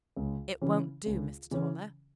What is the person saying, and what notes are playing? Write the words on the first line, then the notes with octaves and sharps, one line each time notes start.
"It won't do, Mr. Toller!"
C#2
C#3 E3 C#4
C#2
C#3 E3 C#4